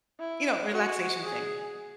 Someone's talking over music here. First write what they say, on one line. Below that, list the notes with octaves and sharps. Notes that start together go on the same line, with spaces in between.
you know, relaxation thing.
E4
F#4
G#4